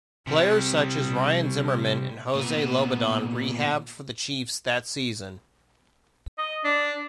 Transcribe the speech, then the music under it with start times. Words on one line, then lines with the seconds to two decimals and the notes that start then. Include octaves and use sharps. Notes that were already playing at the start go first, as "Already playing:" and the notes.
Players such as Ryan Zimmerman and Jose Lobaton rehabbed for the Chiefs that season.
0.27 C3 G3
2.35 A#2 B3
6.38 D#5
6.64 D4